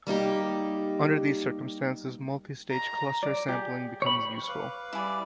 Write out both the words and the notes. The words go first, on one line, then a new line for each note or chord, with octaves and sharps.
Under these circumstances, multistage cluster sampling becomes useful.
G3 A#3 D#4 G4
A#5
D5
G4 G#4
C#5 B5
B4 F5 D6
G3 E4 G#4 D5